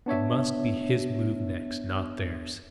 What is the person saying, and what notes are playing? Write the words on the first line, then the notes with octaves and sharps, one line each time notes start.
It must be his move next--not theirs!
B3 D4 C#5 E5